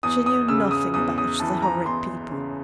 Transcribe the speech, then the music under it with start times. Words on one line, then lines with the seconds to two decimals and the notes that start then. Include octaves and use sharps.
She knew nothing about the horrid people.
0.03 E2 D#6
0.26 D#6
0.48 C#3 E6
0.71 D#6
0.94 E2 D#6
1.18 D#6
1.40 E3 A5
1.62 A#5
1.86 E2 C6
2.31 C#3